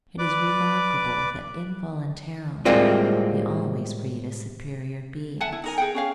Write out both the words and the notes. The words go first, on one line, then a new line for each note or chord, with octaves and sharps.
It is remarkable that involuntarily we always read as superior beings.
B4 D5 D6
A2 G3 G#3 A#3 C4 F4
E5 F#5 G#5 A5
E4
D#4 A#4 G#5
G#4 F#5 G5
C#4 G#4 F5